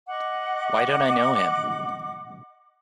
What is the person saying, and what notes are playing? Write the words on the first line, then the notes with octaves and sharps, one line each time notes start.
Why don't I know him?
D#5 F#5 C#6 D6